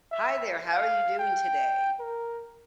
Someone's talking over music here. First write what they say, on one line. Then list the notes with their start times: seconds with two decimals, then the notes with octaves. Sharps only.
Hi there, how are you doing today?
0.12 E5
0.72 F5
1.19 G5
2.00 A#4